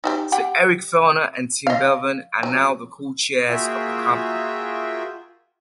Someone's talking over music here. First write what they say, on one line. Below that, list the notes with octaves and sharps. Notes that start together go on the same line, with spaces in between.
Eric Fellner and Tim Bevan are now the co-chairs of the company.
D#4 F#4 G4
G4 F#5 G5
D#5 F5
F#3
A#3 F4 F#4 G#4 E5 G5